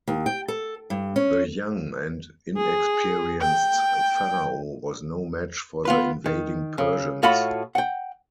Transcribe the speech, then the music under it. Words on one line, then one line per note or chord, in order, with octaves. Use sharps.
The young and inexperienced pharaoh was no match for the invading Persians.
D#2
G5
A4
G2
C#4
G#4
G5
B3 F4 B4
D#3
C#3
A2 F4 F#4 A4 B5
F#5 G5